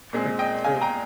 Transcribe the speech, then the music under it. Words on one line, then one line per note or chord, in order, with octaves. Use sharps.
Like, so
A#2 G#3 C4
D#5 G5
F5 G#5
G5 A#5